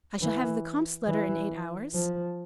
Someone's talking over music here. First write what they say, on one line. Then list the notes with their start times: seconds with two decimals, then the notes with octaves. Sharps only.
"I shall have the comte's letter in eight hours?"
0.22 E3
1.07 E3
1.93 F3